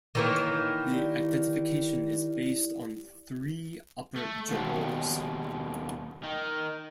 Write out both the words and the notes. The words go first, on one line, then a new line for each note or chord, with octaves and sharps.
The identification is based on three upper jaws.
D#3 E3 A#3 C#5
E4 G4 D5
A3
D#2 B2
D#3